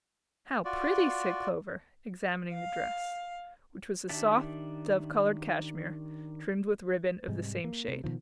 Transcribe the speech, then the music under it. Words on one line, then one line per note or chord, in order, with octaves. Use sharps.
"How pretty!" said Clover, examining the dress, which was a soft, dove-colored cashmere, trimmed with ribbon of the same shade.
F4 F#4 D5
F5
D#3 D4 G4 E5 A5
G#2 C3 G3 G#3
A#3
C3
B2 D#3 F3